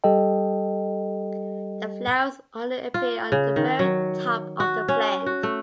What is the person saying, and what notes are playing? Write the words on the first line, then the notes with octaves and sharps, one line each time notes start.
The flowers only appear on the very top of the plant.
G3 G4 A4 D#5 G5
F4
C#3
D#3
F#3
F#4
C#4
F#4
A3